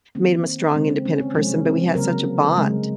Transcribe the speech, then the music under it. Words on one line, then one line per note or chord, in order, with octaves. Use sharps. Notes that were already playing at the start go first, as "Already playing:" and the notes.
it made him a strong, independent person, but we had such a bond
D#3 A#3 C4
C#3 G#3 C4
C4
C#4
C4
C3 F3 G#3 C#4
C4
C#3 F#3 A#3 A#4
C#3 G#3